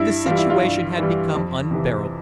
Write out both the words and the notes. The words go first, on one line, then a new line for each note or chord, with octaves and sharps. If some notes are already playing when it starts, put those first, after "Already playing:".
The situation had become unbearable.
Already playing: G2 E4
E3 G3 F4
E4
F4
G2
E3 G3
F2
C3 E3